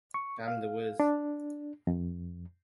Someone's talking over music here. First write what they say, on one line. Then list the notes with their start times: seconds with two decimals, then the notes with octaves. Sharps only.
I'm the Wiz!
0.14 C#6
0.48 F5
1.00 D4
1.87 F2